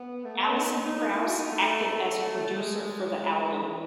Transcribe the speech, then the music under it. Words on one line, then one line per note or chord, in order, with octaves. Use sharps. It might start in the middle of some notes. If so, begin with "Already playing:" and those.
Alison Krauss acted as a producer for the album.
Already playing: B3
A3
B3
C#4
D#4
D#4
D#4
D#4
E4
F#4
D#4
A3
G#3
E3